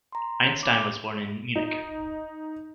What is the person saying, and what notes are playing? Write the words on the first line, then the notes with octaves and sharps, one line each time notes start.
Einstein was born in Munich.
A#5 C6
C#5
B5 D6
D#4